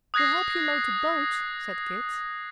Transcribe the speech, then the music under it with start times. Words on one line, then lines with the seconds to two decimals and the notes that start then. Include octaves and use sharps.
"We'll help you load the boat," said Kit.
0.14 D#6 F#6 G#6 A#6 C7